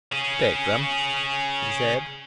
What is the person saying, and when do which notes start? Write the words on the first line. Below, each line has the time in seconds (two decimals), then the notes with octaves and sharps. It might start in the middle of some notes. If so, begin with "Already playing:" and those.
"Take them," he said.
0.12 C#4 G#4